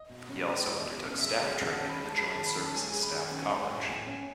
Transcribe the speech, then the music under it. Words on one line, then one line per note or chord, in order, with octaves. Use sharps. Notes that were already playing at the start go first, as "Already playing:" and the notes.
He also undertook staff training at the Joint Services Staff College.
Already playing: D#5
B2
C#4
G#3
B2
B2
C#4
G#3 E5
D#5
G#4
D#3 F#5
A5
C#4
B5
G#3
A5
G#4 B5
D#3 A5
B5
C#4 A5
G#3 G#5
G#4 G#5
B5
D#3 G#5
C#4
G#3
A2
A2 G#5
C#4